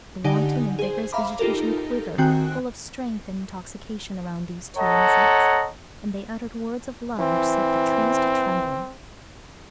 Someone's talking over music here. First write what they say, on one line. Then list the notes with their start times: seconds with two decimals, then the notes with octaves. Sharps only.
The wanton and vigorous vegetation quivered, full of strength and intoxication, around these two innocents, and they uttered words of love which set the trees to trembling.
0.24 D3 D#4 G4 D5 F#5 G#5
0.79 G#4 C5
1.13 E5 F5 A#5 B5 D6
1.39 D#4 F4 G4 A4 A#4
2.18 D#3 C4 F#4 G5 G#5 F#6
4.77 A4 C#5 D#5 F#5 A5 A#5
7.19 E3 C4